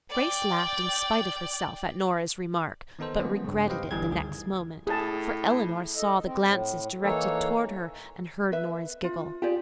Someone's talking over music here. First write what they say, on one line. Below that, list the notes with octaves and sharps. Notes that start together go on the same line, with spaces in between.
Grace laughed in spite of herself at Nora's remark, but regretted it the next moment, for Eleanor saw the glances directed toward her and heard Nora's giggle.
D5 G5
D#3 B3 D#4 A4 C5
F#3 G#3 A#3 B3 C#4
G2 C#3
G4 B4 C5 D#5 F5 G5
G1 G2 E3 G3 G#4 G#6
D2 D#3 G#4
A2 G#4 A5
A4 D#5
C4
A2
E3 A#3 D#4 A4 C#5
B4 E5
F4
F4 G4 G#4 D5